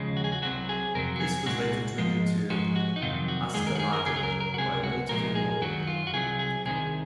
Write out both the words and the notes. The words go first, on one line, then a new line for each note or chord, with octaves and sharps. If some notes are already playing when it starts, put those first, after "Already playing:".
This was later turned into "Askeladden" by Moltke Moe.
Already playing: D#2 C#3 F3 G#3
F#4
G#4
F#4
C2 C3 F#3 F#4
G#4
F2 C3 F#3 A#4
F#4
G#4
C2 A#2 G#3 F#4
G#2 F3 G#3
G#2 F3 G#3 F#4
F#4
D#4
F2 C3 D#3 F#3 F4
F#4
F#2 D#3 G#3 G#4
A#4
F#4
G#4
A#4
F#2 C#3 F#3 G#4
G#4
A#4
A#4
F#4
C#2 C3 F#3 G#4
F#4
C2 A#2 F3 G#3 A#4
G#4
F#2 D#3 F#3 F#4
F4
F#4
C2 C3 F#3 G#4
G#4
C2 C3 D#3 G#4